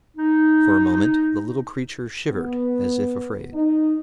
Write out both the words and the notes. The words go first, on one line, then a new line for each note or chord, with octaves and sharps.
For a moment the little creature shivered as if afraid.
D#4
B3
D#4